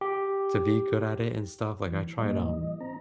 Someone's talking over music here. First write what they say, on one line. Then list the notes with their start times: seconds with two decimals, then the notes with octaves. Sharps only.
to be good at it and stuff, like, I tried, um,
0.01 G4
1.86 E3
2.18 A2 G3 A#3 D#5
2.47 E3 D#5
2.81 C4 A#5